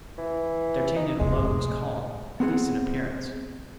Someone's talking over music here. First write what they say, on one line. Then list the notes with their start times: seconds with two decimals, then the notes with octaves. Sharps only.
D'Artagnan alone was calm, at least in appearance.
0.18 E3
0.96 D#4
1.19 F2 C3 G#3
1.38 A2
2.40 B3 C4 G#4 F#5